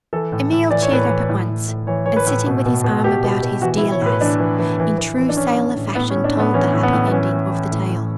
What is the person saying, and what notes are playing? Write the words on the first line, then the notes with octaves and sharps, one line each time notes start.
Emil cheered up at once, and sitting with his arm about his 'dear lass', in true sailor fashion told the happy ending of the tale.
E3 A4
A2
A2
E3 D5
C#5
A2 B4
C#5
E3
A2
A2
A2
E3 C#5
E3 C#5
B4
A2
B2
B2
B2
B2 G4
B2
B2
E3 F#4
E4
E3
C#5
A2 B4
E3 D4
E3
E3
E3
E3
E3
D4
E3 C#4
E3
A2
A2 B3
C#4
A2
D4
A2 B3
E3 C#4
A2
B3
A2
B3
E3 C#4
E3
E3
A2
A2